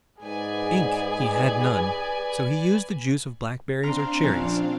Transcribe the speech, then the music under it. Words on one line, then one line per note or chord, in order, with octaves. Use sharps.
Ink he had none, so he used the juice of blackberries or cherries.
G#2 G#4 B4 D5 G#5
C4 D4 F5 A#5 C6 F6
A#1 F3 C#4